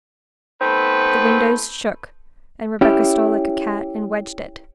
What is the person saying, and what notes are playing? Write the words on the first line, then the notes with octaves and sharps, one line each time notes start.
The window shook, and Rebecca stole like a cat and wedged it.
A3 B3 C4 D#4 B4
C#4 E4 G4